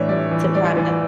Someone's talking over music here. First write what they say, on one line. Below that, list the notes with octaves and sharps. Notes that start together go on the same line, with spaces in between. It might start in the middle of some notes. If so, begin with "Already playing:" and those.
to kinda
Already playing: A2 E3 D4 C#5 E5
G3 D5
E3
G3 D5
E3